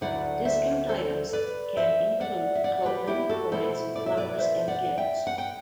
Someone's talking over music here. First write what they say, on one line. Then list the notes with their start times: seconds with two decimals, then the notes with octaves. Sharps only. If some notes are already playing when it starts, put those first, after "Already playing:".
Discount items can include clothing, toys, flowers, and gifts.
0.01 D2 D3 F#3 A3 E4 D5 F#5
0.45 C5 E5
0.89 A4 C5
1.33 B4 D5
1.77 C5 E5
2.20 D5 F#5
2.55 E5
2.64 D5 F#5
2.86 G4 B4
3.07 E4 G4
3.29 F#4 A4
3.51 B2 A3 E4 A4 C5
3.96 D5
4.06 E5
4.17 B4 D5
4.38 C5 E5
4.68 D5 F#5
4.97 E5 G5
5.27 F#5
5.38 G5